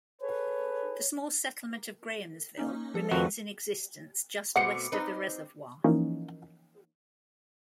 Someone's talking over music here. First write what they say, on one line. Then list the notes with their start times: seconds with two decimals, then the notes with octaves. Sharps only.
The small settlement of Grahamsville remains in existence just west of the reservoir.
0.21 G#4 A4 B4 C#5
2.57 A#3 C#4 D#4
2.94 F3 A4
3.11 F2 D#3 F#4 B4
4.56 B2 A3 C4 F#5 D6 C7 C#7
4.92 C4 D#4 B4
5.84 E3 F3 A#3 C#4 D#4